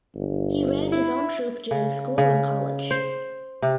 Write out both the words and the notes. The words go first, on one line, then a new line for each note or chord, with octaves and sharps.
He ran his own troupe during school and college.
G1
E4
C#3
C#3
C5
C3